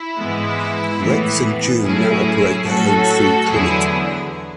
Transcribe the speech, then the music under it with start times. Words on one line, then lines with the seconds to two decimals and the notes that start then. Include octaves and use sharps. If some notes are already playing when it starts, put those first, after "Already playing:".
Rex and June now operate their own free clinic.
Already playing: E4
0.16 G#2 E3 G#3 B3
1.00 A2 E3 B3
1.83 A2 F#3 A3 C#4 E4 G#4
2.66 A2 F#3 A3 C#4 F#4 A4
3.49 E2 D3 F#3 B3 E4 G#4